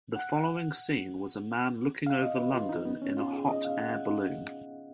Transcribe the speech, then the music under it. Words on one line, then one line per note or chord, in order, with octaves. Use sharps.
The following scene was a man looking over London in a hot air balloon.
F#5
F5
D#5
B4
F4
D#4
B3
C#4
F4
G#4
D#5
F5
F#5